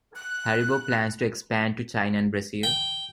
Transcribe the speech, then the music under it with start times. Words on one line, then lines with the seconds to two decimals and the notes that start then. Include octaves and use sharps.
Haribo plans to expand to China and Brazil.
0.16 F#6
2.63 G5